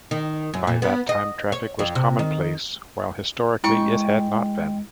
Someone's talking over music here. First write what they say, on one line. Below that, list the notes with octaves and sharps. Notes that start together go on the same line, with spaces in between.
By that time, traffic was commonplace while historically it had not been.
D#3
F#2
A#2
B3
D#5
C#5
F2
C3
D#3
G#3 E4 G5 C#6